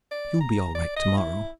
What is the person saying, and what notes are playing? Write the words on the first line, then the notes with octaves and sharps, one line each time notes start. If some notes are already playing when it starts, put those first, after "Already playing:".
"You'll be all right tomorrow."
D5
A#5
D5
D#5
E4